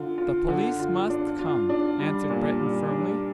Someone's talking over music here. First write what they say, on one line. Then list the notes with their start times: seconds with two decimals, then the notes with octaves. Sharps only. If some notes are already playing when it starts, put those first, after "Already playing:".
"The police must come," answered Breton firmly.
Already playing: D3 F4
0.18 F4
0.48 D3
0.79 F4
1.10 D4
1.39 F4
1.69 D4
1.99 G3
2.30 A#2
2.61 G3
2.90 D4